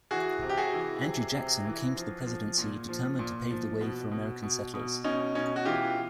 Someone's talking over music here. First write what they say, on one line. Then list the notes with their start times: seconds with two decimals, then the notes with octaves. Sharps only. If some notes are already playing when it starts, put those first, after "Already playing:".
Andrew Jackson came to the Presidency determined to pave the way for American settlers.
0.11 E3 F#4 G#4
0.42 C3
0.49 G4
0.57 F#4 G#4
0.73 E3
1.04 C3
1.34 C3
1.65 E3
1.96 F3
2.26 F3
2.58 A#2
2.89 F3
3.19 A#2
3.50 F3
3.81 B2
4.11 B2
4.43 B2
4.74 B2
5.04 B2 C#4 D#4
5.34 B2 C#4 D#4
5.56 F#4
5.65 E3 F4 G4